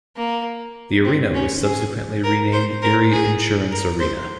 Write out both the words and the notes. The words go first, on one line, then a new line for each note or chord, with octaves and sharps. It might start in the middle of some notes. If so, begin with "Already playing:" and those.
The arena was subsequently renamed Erie Insurance Arena.
A#3
C4
C#4
G#4
A#4
C5
A#4
G#4
A#4
C5